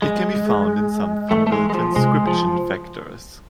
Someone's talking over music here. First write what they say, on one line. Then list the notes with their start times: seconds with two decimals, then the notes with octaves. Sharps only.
It can be found in some fungal transcription factors.
0.02 F3 G#3
0.35 F3
1.31 E3 A3
1.47 A3
1.52 G#3
1.70 G#3
1.74 F3
1.96 C3 G#3
2.27 F3